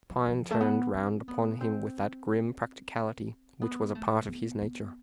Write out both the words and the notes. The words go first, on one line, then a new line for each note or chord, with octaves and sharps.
Pine turned round upon him with that grim practicality which was a part of his nature.
F3
F3
A3
B3
C4
B3
C4
B3
A3
B3
B3